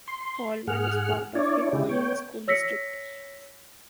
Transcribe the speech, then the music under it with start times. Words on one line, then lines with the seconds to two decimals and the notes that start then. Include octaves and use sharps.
Holmen is part of the Holmen School District.
0.08 C6
0.67 G#2 G#4 F#5 F6
1.35 D4 E4 C#5 D5
1.73 C#3 E4 G4
1.89 B3 C#5 G5
2.48 C#5 E6 A#6 B6 C#7